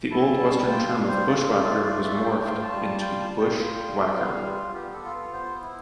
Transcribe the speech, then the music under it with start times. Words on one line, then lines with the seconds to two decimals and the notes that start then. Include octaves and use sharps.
The old western term of "bushwhacker" was morphed into "Busch Whacker".
0.11 E4 A5
0.40 G3
0.69 F4 G5
0.88 F5
0.99 G3
1.08 C5
1.27 F4 D5
1.56 A3
1.84 F4 D5
2.04 E5
2.14 A3
2.24 G5
2.43 F4 G5
2.62 A5
2.72 G3
2.81 A5
3.00 F4 G5
3.20 A5
3.30 G3
3.39 G5
3.59 F4
3.87 G3
4.16 B3 F5
4.45 F4
4.74 B3 G4
4.93 A4
5.04 F4
5.33 B3 C5
5.62 E4